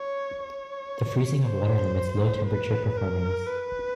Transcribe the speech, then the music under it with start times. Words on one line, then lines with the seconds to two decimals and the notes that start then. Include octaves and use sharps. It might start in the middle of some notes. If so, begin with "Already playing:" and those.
The freezing of water limits low temperature performance.
Already playing: C#5
0.44 C#5
1.45 C5
2.46 B4
2.97 A#4
3.47 B4